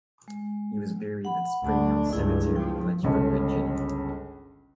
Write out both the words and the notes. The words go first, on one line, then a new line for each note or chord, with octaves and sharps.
He was buried at Spring Hill Cemetery in Lynchburg, Virginia.
G#3
F#5 B5
D2 D4
C#2 G2 D4 E4 G#4
F3 E4 G5
G1 C#2 C#4 A4